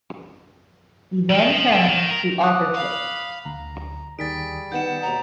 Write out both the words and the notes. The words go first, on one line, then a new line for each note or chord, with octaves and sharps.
He then turned to authorship.
D#3
F3
D3
D#3
A#4
D6 D#6 F#6
F5 B5
D2 A#5
D#2 D#3 G3 G#4 A6 B6 D7
D#3 B3 D#4 F#5 G6 E7
D#2 B2 A#5